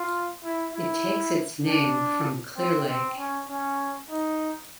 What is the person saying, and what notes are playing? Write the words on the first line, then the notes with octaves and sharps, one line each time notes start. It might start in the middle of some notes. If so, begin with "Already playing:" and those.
It takes its name from Clear Lake.
Already playing: F4
E4
E4
D4
C4
C4
C#4
C#4
D#4